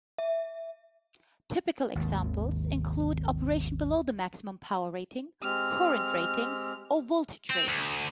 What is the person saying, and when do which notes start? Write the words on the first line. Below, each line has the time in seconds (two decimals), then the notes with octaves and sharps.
Typical examples include operation below the maximum power rating, current rating, or voltage rating.
0.18 E5
1.95 G#1 D#2
5.43 G#3 C4 G4 F6
7.50 C4
7.68 D2